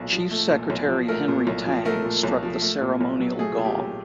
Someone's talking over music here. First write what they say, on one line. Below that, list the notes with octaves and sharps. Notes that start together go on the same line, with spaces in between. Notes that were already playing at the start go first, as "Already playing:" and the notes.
Chief Secretary Henry Tang struck the ceremonial gong.
Already playing: B1 A#2 A3
F3
A3
A#2
B1
F3
A3 A#4
A#2
B1
F3
A3 A#4
A#2
B1
F3
A3
A#2
B1
F#3
A3 G#4
A#2
G4
B1